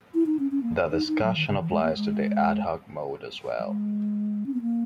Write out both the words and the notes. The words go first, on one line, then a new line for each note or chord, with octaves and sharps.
The discussion applies to the ad hoc mode as well.
E4
D#4
C#4
C#4
A#3
D#4
D#4
F#3
D#3
C#3
E3
G#3
A#3
G#3
F#3
G#3
C#4
B3
A#3